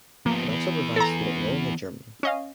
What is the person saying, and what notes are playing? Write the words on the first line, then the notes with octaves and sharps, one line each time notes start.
It also provides student loans in Germany.
F3 A#3 B3
E3 B3
A4 A#5
C#4 D#5 F5